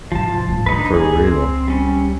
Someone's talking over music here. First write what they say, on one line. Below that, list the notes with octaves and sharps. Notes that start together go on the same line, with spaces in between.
for real.
G#2 C3 F3 A5
F2 A2
D#2 A2 D4 D#4 B4
C#2 G#4
C4
G3 C#4